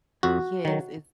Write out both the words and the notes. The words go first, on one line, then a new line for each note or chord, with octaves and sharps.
Yes, it's
F2 F#4
D#3 F#3